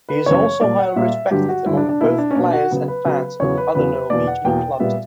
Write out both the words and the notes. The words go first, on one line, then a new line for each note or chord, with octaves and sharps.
He is also highly respected among both players and fans of other Norwegian clubs.
B4
F#2 C#3 E3 B3 C#5
A#2 G3 A#3 D5
F#5
A#2 G3 A#3 E5
G2 D3 F#3 G4
F#4
G2 D3 F#3 E4
D4
D4
B2 A#3 E4
D4
C#4
B2 A#3 D4
F#4
C#3 F#3 B3
B4
C#3 F#3 B3
E2 C#3 F#3 B3 C#5
B4
E2 C#3 F#3 B3 B4
E2 B2 A#3 D5
F#5
E2 B2 A#3 G5
A#2 G3 B3 E5